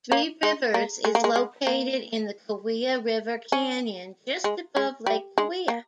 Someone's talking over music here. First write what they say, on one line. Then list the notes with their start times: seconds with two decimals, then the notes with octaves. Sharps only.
Three Rivers is located in the Kaweah River canyon, just above Lake Kaweah.
0.12 A#3
0.43 G#3
0.74 A#3
1.05 G#3
1.15 A#3
1.24 G#3
1.36 G#3
1.67 A#3
3.52 C#4
4.44 G#3
4.76 G#3
5.06 G3
5.38 G#3
5.68 A#3